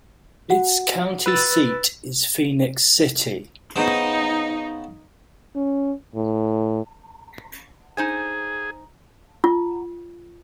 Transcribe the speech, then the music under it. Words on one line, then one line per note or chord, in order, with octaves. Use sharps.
Its county seat is Phenix City.
F#4 F#5
B4 E6 A6
C#3 B3 D#4 C5
C#4
A2
D#4 G#4 C5 G#5
F4